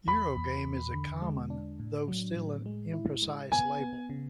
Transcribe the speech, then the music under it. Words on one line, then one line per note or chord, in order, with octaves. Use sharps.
Eurogame is a common, though still an imprecise, label.
E2 B5
E2
E2
D3
G#3
D4
A2
F#3
A2
G#3
E4
G#3
B3 G#5
B3
C#3